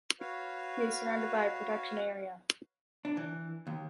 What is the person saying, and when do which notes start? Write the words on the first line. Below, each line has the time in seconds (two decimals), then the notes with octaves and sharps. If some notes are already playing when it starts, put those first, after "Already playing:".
He is surrounded by a protection area.
0.20 F#4 B4 C#5 F5
3.05 D4
3.17 E3
3.67 D#2